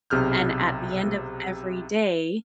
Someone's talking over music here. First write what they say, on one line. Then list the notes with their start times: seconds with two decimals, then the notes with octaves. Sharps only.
and at the end of every day,
0.10 B1 C3 G#4 F6 G6